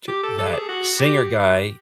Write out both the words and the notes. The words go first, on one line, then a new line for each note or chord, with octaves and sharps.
t that singer guy,
G4
A4
A4
G4
G#4
F#4
G4